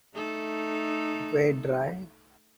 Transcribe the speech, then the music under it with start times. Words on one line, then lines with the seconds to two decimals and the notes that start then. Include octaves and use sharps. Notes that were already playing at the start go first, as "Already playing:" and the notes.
It weighed dry.
0.14 A3 D#4 A4